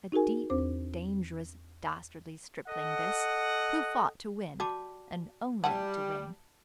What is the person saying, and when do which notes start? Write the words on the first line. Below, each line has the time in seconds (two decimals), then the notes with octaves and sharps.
A deep, dangerous, dastardly stripling this, who fought to win and only to win.
0.12 D#4 F#4 G#4 A#4 G#5
0.50 E2 C4 D4 C5 D6
2.67 A4 D#5 F#5
4.60 G3 F#4 A5 D6
5.64 F#3 G3 E4 F#5 A5